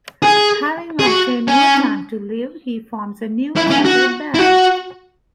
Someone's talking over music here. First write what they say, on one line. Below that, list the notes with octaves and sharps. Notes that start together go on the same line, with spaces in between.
Having obtained more time to live, he forms a new tattered band.
G#4
G#4
F#4
C#4
E4
C#4
F#4
E4
F#4